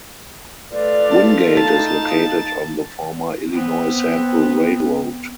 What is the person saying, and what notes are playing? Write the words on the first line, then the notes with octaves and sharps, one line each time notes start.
Wingate is located on the former Illinois Central Railroad.
A3 F4 B4 D5
A5
D#4 F5 A5
B3 C4